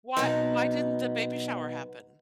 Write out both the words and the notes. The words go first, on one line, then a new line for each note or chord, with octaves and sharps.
Why why didn't the baby shower happen?
B2 E3 F#3 B3 C4 D#4